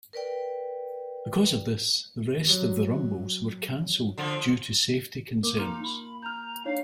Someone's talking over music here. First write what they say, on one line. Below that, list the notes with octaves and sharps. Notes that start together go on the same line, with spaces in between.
Because of this, the rest of the rumbles were canceled due to safety concerns.
A#4 B4 D5 G5
C3 F#3 G3
D3 F3
A#3 A#4 D6
D#4 C6 F6 F7
B5
A#5 F6 G6
D4 D#4 C#5 F5